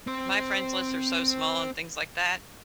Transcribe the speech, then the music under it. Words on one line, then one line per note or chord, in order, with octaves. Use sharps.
My friends lists are so small on things like that,
C4 C5